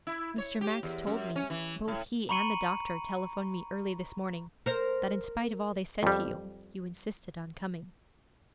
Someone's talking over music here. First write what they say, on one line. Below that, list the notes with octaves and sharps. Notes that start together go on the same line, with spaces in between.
'Mr. Max told me--both he and the doctor telephoned me early this morning--that in spite of all they said to you, you insisted on coming.'
E4
C#5
G4
E2
F#2
C#4
E3
A2
A#5 B5 C#6 C#7 D#7 F#7
A#4 C5
F2 G3